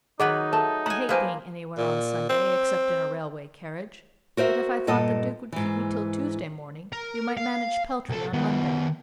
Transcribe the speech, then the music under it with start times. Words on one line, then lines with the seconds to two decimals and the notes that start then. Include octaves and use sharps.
I hate being anywhere on Sunday except in a railway carriage. But if I thought the Duke would keep me till Tuesday morning we might manage Peltry on Monday.
0.20 D#3 F#3 D#4 G#4 B4 D#5 F#5
0.53 A3 A#4 A5
0.86 F#5 G#5 A#5
1.09 F3 A#3 B4 C5 G#5
1.77 A#2
2.29 C4
4.37 F#4 A#4 C5 E5
4.87 G2 A#2 A4 D#5 A5
5.52 G#2 E3
6.93 A#4
7.37 F5
8.09 C2 A4
8.33 D#3 B3